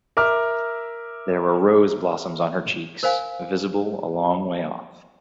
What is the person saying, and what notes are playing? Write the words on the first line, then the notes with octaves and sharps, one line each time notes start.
There were rose blossoms on her cheeks, visible a long way off.
A#4 E5 D6 F6
A#4 C5 F5 G#5